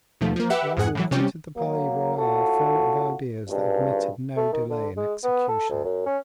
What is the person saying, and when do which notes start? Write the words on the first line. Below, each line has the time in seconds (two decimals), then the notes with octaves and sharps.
Raoul quitted the Palais Royal full of ideas that admitted no delay in execution.
0.21 D#2 B2 F3 A3
0.36 F3 A#3
0.50 G4 B4 E5 F#5
0.77 F2 G#2 G#4 F#5
0.95 A2 E3 F#3
1.11 C3 G3 C#4 G4
1.56 F#3 A#3
2.18 A2 F4 F#4 A4
3.49 G#1 C#2 G2
4.37 A3
4.52 D#3
4.69 D3
4.97 G#3
5.23 B3
5.48 A4
5.70 D2
5.84 F#2
6.06 C#4